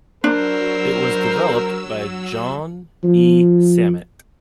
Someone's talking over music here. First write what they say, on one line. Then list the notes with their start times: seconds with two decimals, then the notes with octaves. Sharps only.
It was developed by Jean E. Sammet.
0.24 F#3 D4 A#4 C5 E6
3.04 F3